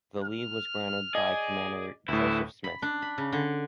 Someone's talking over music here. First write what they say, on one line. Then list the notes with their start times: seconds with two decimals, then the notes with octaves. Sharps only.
The leave was granted by Commander Joseph Smith.
0.24 F6
1.15 G#4 D5 D#5
2.08 D2 A2 E4 B4
2.64 B5
2.82 D4
3.02 B5
3.18 C#3
3.33 D3